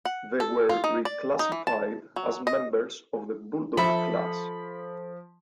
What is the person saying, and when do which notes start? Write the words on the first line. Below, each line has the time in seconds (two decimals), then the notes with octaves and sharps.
They were reclassified as members of the Bulldog Class.
0.05 F#5
0.40 A4
0.69 F4
0.84 D#4
1.05 D5
1.39 D#4
1.52 E3
1.67 A5
2.16 F#3
2.47 D#5
3.77 F3 A4 E5 B5